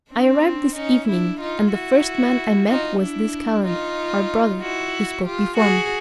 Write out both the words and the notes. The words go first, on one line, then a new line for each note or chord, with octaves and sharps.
I arrived this evening, and the first man I met was this calender, our brother, who spoke before me.
C4 D4
C#4 D#4
D4 E4
D#4 F4
E4 F#4
D#4 F4
D4 E4
D#4 F4
E4 F#4
F4 G4
F#4 G#4